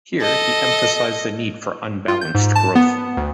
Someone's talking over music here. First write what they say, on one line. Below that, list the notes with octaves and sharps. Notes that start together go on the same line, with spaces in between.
Here he emphasized the need for unbalanced growth.
A4 D#5
F4
G6
G#2
A5
B3
D2